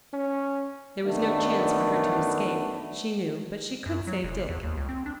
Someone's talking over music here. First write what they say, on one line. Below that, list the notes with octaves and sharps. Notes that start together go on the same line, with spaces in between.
There was no chance for her to escape, she knew, but she could save Dick.
C#4
F#2 D#3 A3 B3 D4
F#2
F#3
E1
F#1
E2
D#2
C#2
C4
D4